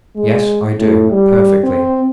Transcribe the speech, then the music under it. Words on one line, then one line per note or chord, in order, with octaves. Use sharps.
Yes; I do, perfectly.
G#3
A2
G3
C4